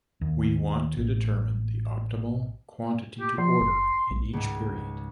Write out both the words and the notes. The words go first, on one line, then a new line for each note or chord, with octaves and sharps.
We want to determine the optimal quantity to order in each period.
D#2
A1
G4
F3 C6
F#1
A#1
C#2 G#2